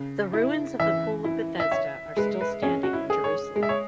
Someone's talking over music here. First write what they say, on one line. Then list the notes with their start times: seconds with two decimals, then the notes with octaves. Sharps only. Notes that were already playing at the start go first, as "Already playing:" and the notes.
The ruins of the Pool of Bethesda are still standing in Jerusalem.
Already playing: C#3
0.33 E4
0.80 E3 E5
1.24 E4
1.60 E5
1.71 C#5 E5
2.17 G#3 B4
2.41 B4
2.63 C#4 G#4
2.83 F#4
2.93 E4
3.10 G#4
3.24 C#5
3.56 G#3
3.63 E5
3.69 C#5